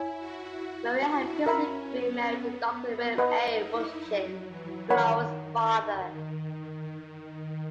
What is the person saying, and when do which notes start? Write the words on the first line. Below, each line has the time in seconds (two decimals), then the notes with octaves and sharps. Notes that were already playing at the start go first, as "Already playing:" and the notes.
Maria had previously been married to Doctor William A. Wovschin, Flora's father.
Already playing: E4 C#5 G#5
0.18 F#4
1.04 E4
1.46 C#4 A#4 E5 B5
1.90 B3
2.33 B3
3.18 D#4 B4 D#5 F#5
3.61 E4
4.04 F#3
4.48 E3
4.90 D#3 A#4 C#5 F#5 B5